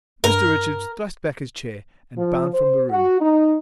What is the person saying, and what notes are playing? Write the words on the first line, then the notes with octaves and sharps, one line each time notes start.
Mr Richards thrust back his chair and bounded from the room.
G2 A#4
F3
C5
F#4
D#4